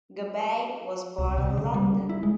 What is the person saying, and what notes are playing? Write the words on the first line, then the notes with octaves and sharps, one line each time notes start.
Gubbay was born in London.
C2
C3
C#3
G3
E4
G#3